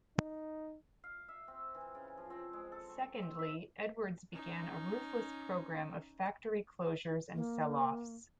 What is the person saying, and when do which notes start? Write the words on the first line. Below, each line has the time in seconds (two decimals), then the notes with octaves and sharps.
Secondly, Edwardes began a ruthless programme of factory closures and sell-offs.
0.17 D#4
1.04 F5
1.28 E5
1.48 C4
1.75 E3
1.95 C#3
2.18 F3
2.30 C4
2.53 G#3
2.72 A4
2.90 C#6
3.22 C4
3.39 E5
4.32 C#4 D#4
7.35 A#3